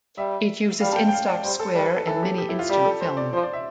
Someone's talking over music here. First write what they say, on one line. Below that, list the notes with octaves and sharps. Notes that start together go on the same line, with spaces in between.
It uses Instax Square and Mini instant film.
G3 E5
G3 F5
A5
G5
G5
F5
D5
G3 C5
A4
G3 B4
B4
A4
E3 A4
G4
G4
E4
F4
G3 G4
A4
C5
D5
F3 C5
D5
E5